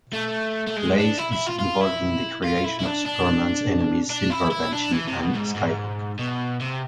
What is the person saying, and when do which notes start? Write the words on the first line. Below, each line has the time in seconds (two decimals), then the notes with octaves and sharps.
Blaze is involved in the creation of Superman's enemies Silver Banshee and Skyhook.
0.13 A3
0.67 A3
0.76 G#3
0.97 D4
1.18 E4
1.33 E4
1.46 F4
1.59 F4
1.81 E4
2.44 F4
2.64 E4
2.79 E4
2.85 D4
3.06 D4
4.10 D4
4.30 E4
4.51 E4
4.73 D4
4.93 E3
5.08 C3
5.21 B2
5.35 G#2
5.55 G#2
6.19 B2
6.60 C3